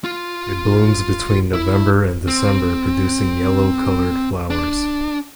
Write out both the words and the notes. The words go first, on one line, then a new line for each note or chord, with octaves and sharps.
It blooms between November and December producing yellow coloured flowers.
F4
E4
C4
D4